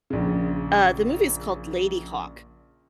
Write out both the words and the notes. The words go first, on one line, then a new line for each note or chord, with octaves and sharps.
uh, the movie's called Ladyhawke.
A#1 C#3